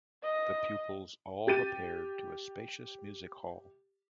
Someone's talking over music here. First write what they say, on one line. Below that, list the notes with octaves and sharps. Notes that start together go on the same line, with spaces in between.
The pupils all repaired to a spacious music-hall.
D#5
G4 A6 D#7